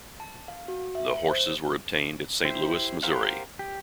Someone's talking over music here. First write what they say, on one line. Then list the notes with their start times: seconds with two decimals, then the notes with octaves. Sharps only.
The horses were obtained at Saint Louis, Missouri.
0.20 A5
0.48 F5
0.68 F#4
0.95 E5
1.30 C5
2.45 E4 G4 C5
3.03 G4 A#4 C5 F5 F#5
3.59 G4